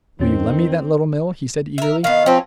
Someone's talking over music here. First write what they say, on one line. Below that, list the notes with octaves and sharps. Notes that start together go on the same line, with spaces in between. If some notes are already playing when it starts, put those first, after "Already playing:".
"Will you lend me that Little Mill?" he said eagerly.
E2 D#3 C4 C#4
A#4 E5
D#3 B3 F5
F3 C4 C#4 F4